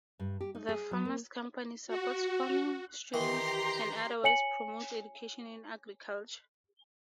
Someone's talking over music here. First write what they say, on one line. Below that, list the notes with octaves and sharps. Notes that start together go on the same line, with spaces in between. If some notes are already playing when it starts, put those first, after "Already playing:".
The Farmers' Company supports farming students, and otherwise promotes education in agriculture.
G2
G4
D#4
G#4
F#3
A#3
F#4
D#3 E3 G4 A#5 C6
C#5 G#5 C#7 F#7